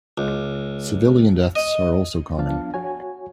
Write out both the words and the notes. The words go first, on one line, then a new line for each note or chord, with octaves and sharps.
Civilian deaths are also common.
C#2
D#5
F3 B3 D4 F5 A5
F#4 C#5 G#5